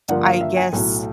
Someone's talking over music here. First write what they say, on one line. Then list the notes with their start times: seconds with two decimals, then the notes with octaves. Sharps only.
I guess,
0.09 G2 D3 F3 A#3 F#5
0.25 F5
0.41 E5
0.56 G#5
0.73 B1 A2 F#3